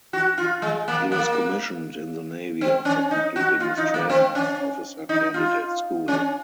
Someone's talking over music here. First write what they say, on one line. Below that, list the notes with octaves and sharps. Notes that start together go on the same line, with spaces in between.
He was commissioned in the Navy after completing his training from Officer Candidate School.
F#4
F4
G#3
A#3
A#3
C4
C#4
D#4
F#4
F4
D#4
A#3
C4
C#4
D#4
F4
C#4